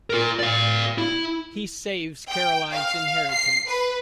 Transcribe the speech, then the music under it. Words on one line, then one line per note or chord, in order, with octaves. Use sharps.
He saves Carolines inheritance.
F4 A#4
D5 F5
E4
G5
F5
C7
B4